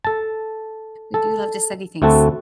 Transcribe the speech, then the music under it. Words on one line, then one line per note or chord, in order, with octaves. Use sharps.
We do love to study things.
A4 A5
A4
D2 A3 C4 F#4 A4